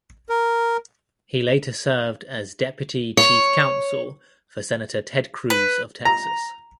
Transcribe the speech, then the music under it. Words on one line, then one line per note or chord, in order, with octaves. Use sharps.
He later served as Deputy Chief Counsel for Senator Ted Cruz of Texas.
A#4
C#5
B4
A#5